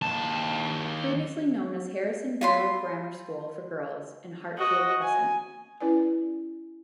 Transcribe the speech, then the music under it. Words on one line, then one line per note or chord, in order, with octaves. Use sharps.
Previously known as Harrison Barrow Grammar School for Girls and Hartfield Crescent.
D#2 A5
F4 B5 C6
F#4 D#5
G#5
C#4 E4 B4 D5 G#5